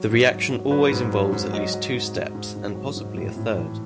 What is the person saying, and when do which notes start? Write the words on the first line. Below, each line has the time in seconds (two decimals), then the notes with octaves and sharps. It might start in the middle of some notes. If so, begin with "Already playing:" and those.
The reaction always involves at least two steps, and possibly a third.
Already playing: F#3
0.09 G#2
0.30 F#3
0.50 F#3
0.71 F#3 B4
0.91 G#2
1.13 F#3
1.32 G#2
1.53 F#3 D#5
1.74 F#3
1.94 G#2
2.15 G#2
2.35 G#2
2.56 G#2
2.75 F#3
2.96 G#2
3.17 A2
3.36 A2
3.58 E3